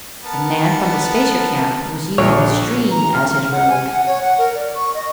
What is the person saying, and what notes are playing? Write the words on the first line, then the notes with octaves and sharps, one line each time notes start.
The man from the spacer camp was using the stream as his road.
B3 A#4 A5
A#1 D3 C#5
A#5
F6
F#5
G#5
F#5
C#5
F#5
A#4
D5
C#6
D#5